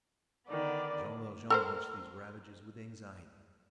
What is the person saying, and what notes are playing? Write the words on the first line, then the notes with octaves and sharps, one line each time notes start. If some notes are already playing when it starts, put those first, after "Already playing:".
Jean Valjean watched these ravages with anxiety.
D3 D#3 B3 D5
A4 A#4 C5